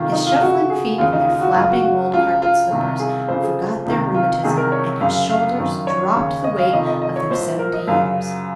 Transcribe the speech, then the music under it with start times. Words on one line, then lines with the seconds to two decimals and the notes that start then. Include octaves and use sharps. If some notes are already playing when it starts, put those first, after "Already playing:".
His shuffling feet, in their flapping old carpet slippers, forgot their rheumatism, and his shoulders dropped the weight of their seventy years.
Already playing: F2 C3 D#3 F4
0.12 D#4
0.27 F4
0.41 F2 C#3 F#4
0.70 G#4
0.98 D#2 C#3 F4
1.13 D#4
1.27 F4
1.41 F#4
1.56 F#2 C#3 F4
1.70 F#4
1.84 F#4
2.13 C#2 C#3 F4
2.42 F4
2.70 C2 C3 D#3
2.99 G#4
3.28 F2 C#3 C5
3.42 G#4
3.85 C#2 C3 D#3
4.14 F4
4.43 C2 C3 D#3 G#4
4.58 A#4
4.72 C#5
5.01 F#2 C#3 F5
5.30 F5
5.58 F#2 D#3
5.87 C#5
6.16 D#2 C#3
6.44 D#5
6.59 F5
6.73 F2 C3 D#3 D#5
6.87 D#5
7.02 D#5
7.16 C#5
7.30 C2 A#2 C5
7.59 A#4
7.73 D#5
7.88 F#2 C#3 F5